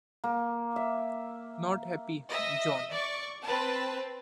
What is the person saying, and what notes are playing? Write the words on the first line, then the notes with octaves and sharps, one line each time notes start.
'Not happy, John!
A#3
E5
D#5 E5
D5 C#6
C4 B4 A5